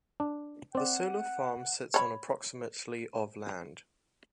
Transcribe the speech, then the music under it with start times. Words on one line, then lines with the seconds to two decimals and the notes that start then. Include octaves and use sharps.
The solar farm sits on approximately of land.
0.20 D4
0.75 C4 D5 F#5
1.94 C#5 B5